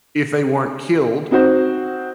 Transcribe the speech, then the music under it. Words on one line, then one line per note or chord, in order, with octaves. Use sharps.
if they weren't killed,
C4 D#4 F#4 C5